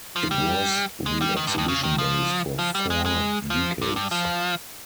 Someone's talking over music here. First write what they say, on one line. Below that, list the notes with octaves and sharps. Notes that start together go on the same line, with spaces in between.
It was the exhibition base for four decades.
F3
G3
G#3
G3
D#3
G2
F2
C#3
D#3
F3
F3
G3
G#3
G#3
F3
G2
G2
F3